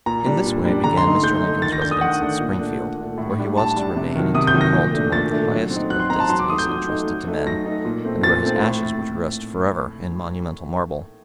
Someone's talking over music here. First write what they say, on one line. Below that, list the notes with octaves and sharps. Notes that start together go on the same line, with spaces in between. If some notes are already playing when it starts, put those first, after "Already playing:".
In this way began Mr. Lincoln's residence in Springfield, where he was to remain until called to one of the highest of destinies intrusted to men, and where his ashes were to rest forever in monumental marble.
A#2 A#5
G3 D4
A#2
G3 D4
D3 A#5
C6
A3 D#4
D3 G6
A3 D#4
D#3 A6
A#6
A3 D4 G6
D#6
D#3 F#5
A3 D4
A#2
A3 D4
A#2
A3 D4
A2
G3 D4
A2 A5
G3 D4
C3
D#3 F#3
C3 D#6
G6
D#3 F#3
A#6
A#2
A3 D4
A#2 A6
A3 D4
F#3
C4 D#4
F#3 F#6
C6
C4 D#4 A#5
A5
F#3 C6
D6
A3 D#4 D#6
G6
F#3
A3 D#4
F#3
A3 D#4
F#3 A#6
A3 D#4
A#2
A3 C4
A#2 A6
A3 C4
A2